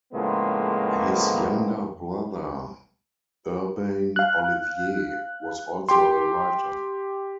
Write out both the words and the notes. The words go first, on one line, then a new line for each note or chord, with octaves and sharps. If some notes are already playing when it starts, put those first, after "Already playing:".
His younger brother, Urbain Olivier, was also a writer.
A2 C#3 F3 G#3 A#3 B3
F5 F#6
G4 G5 C6